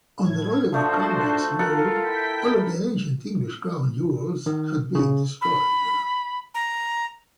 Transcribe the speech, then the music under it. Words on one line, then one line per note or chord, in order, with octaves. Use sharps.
Under Oliver Cromwell's rule, all of the ancient English crown jewels had been destroyed.
A2 G#6
F3 A3 D4 F#4 C5
F4 A4 A#4 F#5
E4 G5 B6
D#3
C#3
B5
A#5